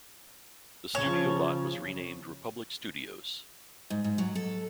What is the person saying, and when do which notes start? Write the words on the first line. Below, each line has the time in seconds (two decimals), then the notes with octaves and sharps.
The studio lot was renamed Republic Studios.
0.95 C#3 F3 C#5 A5
3.90 G#2
4.04 G#2
4.18 F#3
4.35 A4